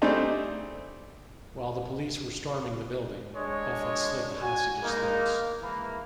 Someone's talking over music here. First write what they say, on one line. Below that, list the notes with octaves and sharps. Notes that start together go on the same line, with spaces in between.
While the police were storming the building, Buffet slit the hostages' throats.
G3 A3 C4 D4 D#4 G#4
G#3 D4 C#5
F#4 G#5
G#3 A#3 B3 D#4
E3 G#3 A#3